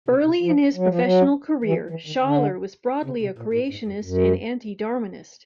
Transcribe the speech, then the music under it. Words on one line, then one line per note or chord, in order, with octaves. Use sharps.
Early in his professional career Shaler was broadly a creationist and anti-Darwinist.
C3
C3
F3
F#3
F3
F#3
E3
F3
E3
D#3
D3
C#3
C3
A#2
A2
G#2
F#2
F#2